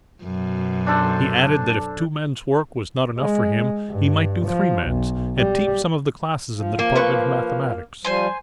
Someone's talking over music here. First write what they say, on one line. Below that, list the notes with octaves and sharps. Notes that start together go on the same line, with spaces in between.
He added that if two men's work was not enough for him, he might do three men's, and teach some of the classes in the Department of Mathematics.
F#2 B2
D4 A4 C5
G#3
G2
F3
B1
G3
F3
A#3
B4 C6 C#6
F3 G3 C5 G#5 C6